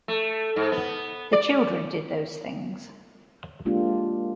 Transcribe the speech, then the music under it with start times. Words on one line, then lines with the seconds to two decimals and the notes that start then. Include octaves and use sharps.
The children did those things.
0.08 A3
0.56 G#2
0.72 B3
1.33 D5
3.65 G#3 A#3 D4 F4 G4